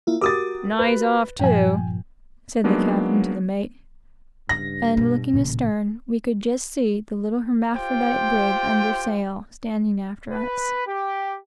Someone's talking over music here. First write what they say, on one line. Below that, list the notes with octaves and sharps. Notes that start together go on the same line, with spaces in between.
"Nye's off too," said the captain to the mate; and looking astern, we could just see the little hermaphrodite brig under sail standing after us.
A#3 E4 F4
F#4 G4 A#4 D6 D#6 A6
B4
G2 A#2 F3 G5 G#5
F#3 G#3 A#3 B3 D4 D#4
G2 C#3 A#6
B2
A1 A#2 C#3
F4 G4 C5 G5
B4
G4